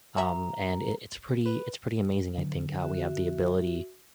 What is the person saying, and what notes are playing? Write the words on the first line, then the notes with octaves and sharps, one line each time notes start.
um, and it it's pretty it's pretty amazing, I think, how we have the ability
F#4 E5 A#5
B4
D3 F#3
F#4 E5